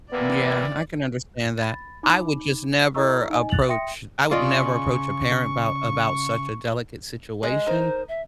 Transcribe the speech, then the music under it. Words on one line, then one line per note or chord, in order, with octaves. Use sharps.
Yeah, I can understand that, I would just never approach I would never approach a parent about about such a delicate situation,
C3 E3 A#3 B3 D5
B5 A6
D#4 B5 D6
E4 A4 D#5 A#5 C#6 E6
D#4 D#5 G#5
F#6 A6 F7 F#7
E5 G5 C6 D#6 A#6 C#7
C#3 F4 D5 D#5 C#6
G#3 G#4 D#5
D#4 A#4 C5
E5